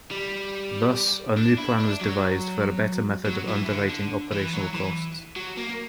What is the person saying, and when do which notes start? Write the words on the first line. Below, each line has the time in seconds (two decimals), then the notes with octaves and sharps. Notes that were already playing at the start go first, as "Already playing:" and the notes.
Thus, a new plan was devised for a better method of underwriting operational costs.
0.11 G3
1.37 D4
1.58 E4
1.79 D4
2.01 F#3
3.26 F#3
3.49 E3
3.69 D3
3.90 D3
4.32 E3
4.53 F#3
4.74 E3
5.36 F#3
5.57 A#3